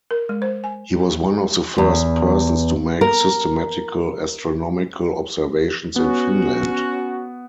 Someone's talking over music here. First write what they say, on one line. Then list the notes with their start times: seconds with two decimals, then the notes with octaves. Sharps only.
He was one of the first persons to make systematical astronomical observations in Finland.
0.11 A#4
0.29 G#3
0.42 C5
0.64 G#5
1.78 E2
3.01 A#4
5.96 B3 C#4 F#4